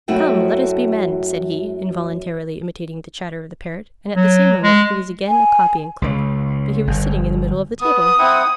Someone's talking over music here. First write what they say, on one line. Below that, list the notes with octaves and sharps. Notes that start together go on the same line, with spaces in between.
"Come, let us be men!" said he, involuntarily imitating the chatter of the Parrot, and at the same moment he was again a copying-clerk; but he was sitting in the middle of the table.
F#2 A3 E4 F#4 G5
F#3
G#3
G#5
C#2
G1
B3 D#6
C4 E4 F#5